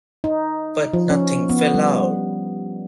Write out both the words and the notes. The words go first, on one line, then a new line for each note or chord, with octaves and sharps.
But nothing fell out.
D#4
F3
C#4
B3
G3